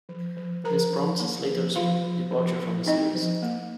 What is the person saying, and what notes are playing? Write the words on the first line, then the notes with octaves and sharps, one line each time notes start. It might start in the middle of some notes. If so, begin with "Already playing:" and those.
This prompts Slater's departure from the series.
F3
F3
F3 A#4 A#5
F3
A#3
F3
F3 F4 F5
F3
F3
F3
C4 D#4 D#5
F3
A#3